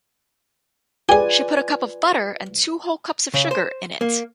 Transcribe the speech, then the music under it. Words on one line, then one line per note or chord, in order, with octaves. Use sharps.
She put a cup of butter and two whole cups of sugar in it.
F4 G4 G#4 B4 D5 G#5
C#3
C5
A#3